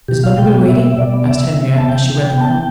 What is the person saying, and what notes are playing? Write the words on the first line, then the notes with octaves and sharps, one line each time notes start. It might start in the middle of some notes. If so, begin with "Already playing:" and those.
"Is Bunderby waiting?" asked Henriette as she read the note.
B2 G4
G3 F5
B2 G5
B3
B2 E5
G3
B2 D5
B3
C3 E5
E3
C3
B3 A5
C3 G5
E3
C3
B3
A5
E3 G5